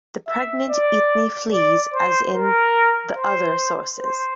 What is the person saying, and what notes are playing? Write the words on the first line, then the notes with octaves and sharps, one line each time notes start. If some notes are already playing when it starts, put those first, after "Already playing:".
The pregnant Eithne flees as in the other sources.
E5
D5
D5
C5
A#4
C5
C5